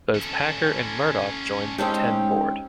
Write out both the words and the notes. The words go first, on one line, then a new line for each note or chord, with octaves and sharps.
Both Packer and Murdoch joined the Ten board.
C#4 A4
G#3 C4 C#4 D#4 G4 A5